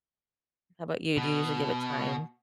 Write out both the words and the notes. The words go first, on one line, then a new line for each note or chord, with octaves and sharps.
How 'bout you? Do you usually give it time?
B2